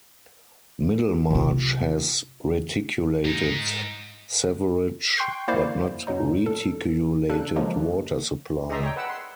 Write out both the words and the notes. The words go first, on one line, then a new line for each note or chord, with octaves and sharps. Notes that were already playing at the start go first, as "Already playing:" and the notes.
Middlemarch has reticulated sewerage but no reticulated water supply.
C3 F4
G#2 D#4
G5 C6 C#6 F#6 G6 C7
A#3 E4 C5 D5 F5
F#2 B2 F#3 D#4
A2 A4
C#3 D4 A4 F#6
F3 F#3 G#3 A#3
D#4 G#4 D5 E5 A#5 C6
C#5 G5
B4 F#5 E6
C6